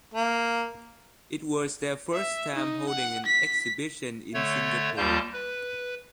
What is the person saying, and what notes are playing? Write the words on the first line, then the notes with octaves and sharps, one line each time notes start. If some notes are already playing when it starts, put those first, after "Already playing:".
It was their first time holding an exhibition in Singapore.
A#3
E5
D#4
F#5
B6
D3 A3 C#5
D#2 G3 A#3 F4 A5 G6
B4